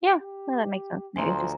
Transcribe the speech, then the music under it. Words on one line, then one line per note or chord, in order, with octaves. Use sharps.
Yeah. No, that makes sense maybe just
G4
D2 F3 G#5 A#5 C6